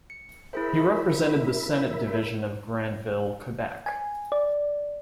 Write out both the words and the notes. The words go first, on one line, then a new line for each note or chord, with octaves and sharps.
He represented the Senate division of Grandville, Quebec.
C#7
E4 G#4 A#4 C5 E5 B5
G#5
D5